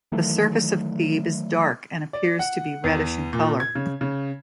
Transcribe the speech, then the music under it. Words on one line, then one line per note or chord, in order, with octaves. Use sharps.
The surface of Thebe is dark and appears to be reddish in color.
D#3 E3 F#3 A3
D5
F#5
E2
A#2
G#6
C#3
C#3